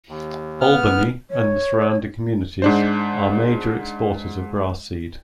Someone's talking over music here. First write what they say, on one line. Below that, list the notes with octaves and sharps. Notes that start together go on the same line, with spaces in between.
Albany and the surrounding communities are major exporters of grass seed.
D#2
B3 F6
C#5
G#2 D4 C5